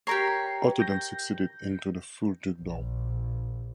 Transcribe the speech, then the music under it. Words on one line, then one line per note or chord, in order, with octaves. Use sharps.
Otto then succeeded into the full dukedom.
G4 A#4 C#5 A#5 C7
G6 A#6
A#1